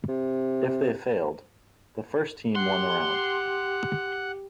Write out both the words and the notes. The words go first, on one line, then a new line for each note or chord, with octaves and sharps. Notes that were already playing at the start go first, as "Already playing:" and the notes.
If they failed, the first team won the round.
C3
G4 F#5 C6